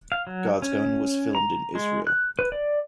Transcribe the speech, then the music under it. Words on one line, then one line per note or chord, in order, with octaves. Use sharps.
"God's Gun" was filmed in Israel.
F5
F#3
C#4
A#5
G#3
F#6
B4
D5